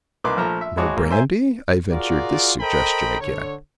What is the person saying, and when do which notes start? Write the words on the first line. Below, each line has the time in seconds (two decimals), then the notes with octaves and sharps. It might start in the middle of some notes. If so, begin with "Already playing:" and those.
"No brandy?" I ventured this suggestion again.
0.24 C2 A#3 D#4 B4 C6 D6
0.37 A#1 F3 A3 A#5
0.61 E5
0.77 G#1 G#3 F#4 C#5 A5 D6
0.97 G#2 A#3
1.10 C5 E5 G#5 A#5
1.90 F4 F#4 G#4 A#4 D5
2.60 A4 A#4 C5 D#5 G5 B5
3.20 D3 C#5